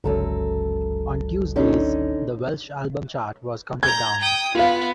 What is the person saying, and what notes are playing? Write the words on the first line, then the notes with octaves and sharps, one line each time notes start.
On Tuesdays, the Welsh album chart was counted down.
G1 C#2 F#2 F#3 A4 A#5
D3 C#4 D#4
A#5 G6 G#6
G5 D#6
B3 F4 F5